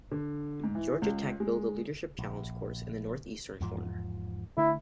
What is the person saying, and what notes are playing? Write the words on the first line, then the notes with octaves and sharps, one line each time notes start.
Georgia Tech built the Leadership Challenge Course in the northeast corner.
D3
G#2
E3
C#2
G#3
A#1
E2 G#2 F3
D3 A3 E4